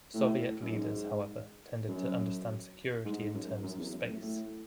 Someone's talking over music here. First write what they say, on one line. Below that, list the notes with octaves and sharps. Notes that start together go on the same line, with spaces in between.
Soviet leaders, however, tended to understand security in terms of space.
A2
F#2
G#2
F#2
G#2
G#2
F#2
F#2
E2
F#2
A2
A2